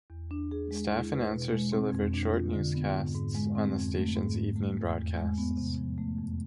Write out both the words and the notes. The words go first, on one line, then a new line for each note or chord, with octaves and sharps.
Staff announcers delivered short newscasts on the station's evening broadcasts.
E2
D4
G#4
G#3
E4
B4
B2
G#3
C4
F2
D4
F4
D3
B3
G#2
G#2
G#3
C4
F2
A3
G#2
G#2
A3
E2
E2
G#3
B3
C3
F3
A3
F2